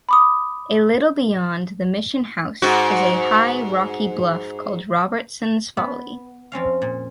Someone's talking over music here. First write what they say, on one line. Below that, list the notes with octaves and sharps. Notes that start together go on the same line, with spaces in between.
A little beyond the Mission House is a high rocky bluff called Robertson's Folly.
B5 D6 D#6
G#2 F#4
B3
F2 C4 C#4 F5
A#2